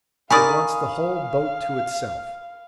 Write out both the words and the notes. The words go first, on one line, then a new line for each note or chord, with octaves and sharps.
It wants the whole boat to itself.
D#4 A#4 D5 F5 G#5 B5 C#6 D#6